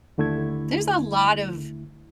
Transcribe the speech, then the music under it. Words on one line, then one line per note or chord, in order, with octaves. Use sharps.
There's a lot of
D#2 D3 A3 E4 G#6